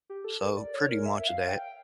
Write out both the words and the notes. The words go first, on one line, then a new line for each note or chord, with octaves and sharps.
So, pretty much of that.
G4
A4
A#4
D5
C#5
A#4
E5
F5
F5
G5